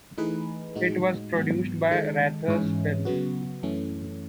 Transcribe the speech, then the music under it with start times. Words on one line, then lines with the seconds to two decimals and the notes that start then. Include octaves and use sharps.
It was produced by Rathaus Films.
0.18 E3 A3 D#4 G#4 B4
0.75 A2 G#3 D#4 F#4
1.33 G#2 F#3 B3
1.90 D#3 G#3 D#4 A4
2.48 G#2 E3 G#3 C#4 E4
3.05 C#3 F#3 B3 F#4
3.63 F#2 E3 A3 C#4